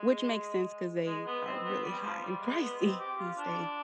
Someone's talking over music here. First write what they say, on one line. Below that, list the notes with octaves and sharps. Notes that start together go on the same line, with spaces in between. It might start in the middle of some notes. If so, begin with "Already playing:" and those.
Which makes sense 'cause they are really high and pricey these days.
Already playing: G#3
G#3
B3
C4
B3
G3
F3
G3
G#3
B3
C4
G4
F4
D4